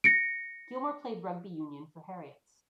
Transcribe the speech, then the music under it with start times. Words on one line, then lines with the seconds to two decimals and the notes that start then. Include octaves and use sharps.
Gilmour played rugby union for Heriots.
0.04 A#6 C#7 D7